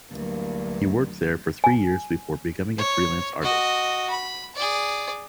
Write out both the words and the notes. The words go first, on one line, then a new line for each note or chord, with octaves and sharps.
He worked there for three years before becoming a freelance artist.
D2 G2 E3 F#3 A#3
G#5
C#5
F#4 D#5
B5
G#4 D5